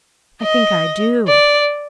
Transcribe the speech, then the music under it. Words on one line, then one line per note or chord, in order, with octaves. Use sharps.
"I think I do."
D#5
D5